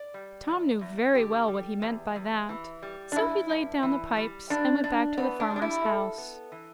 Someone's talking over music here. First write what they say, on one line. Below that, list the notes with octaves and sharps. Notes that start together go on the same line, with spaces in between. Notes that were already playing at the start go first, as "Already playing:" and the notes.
Tom knew very well what he meant by that, so he laid down the pipes, and went back to the farmer's house.
Already playing: D5
G3
E2
E2
D3 G4
G3
E2
E2
E3
G3
D4
G2 E4
G2
E3
G3
G2 D4
G2 D4
E3 B3
D4
G3
D4
E4
G2 A4
B3
E3